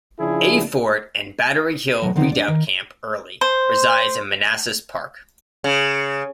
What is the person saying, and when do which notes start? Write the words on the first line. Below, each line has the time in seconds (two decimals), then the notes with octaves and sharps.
"A" Fort and Battery Hill Redoubt-Camp Early resides in Manassas Park.
0.20 C#3 F3 D4 E4 G#4
2.02 B2 F#3
2.16 D3 F3 B3 C4 D#4
2.32 D4 D5
2.48 D#3
3.41 C5
5.64 C#3